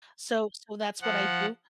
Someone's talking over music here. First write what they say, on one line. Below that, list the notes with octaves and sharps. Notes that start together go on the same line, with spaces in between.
so so that's what I do,
F3 F#5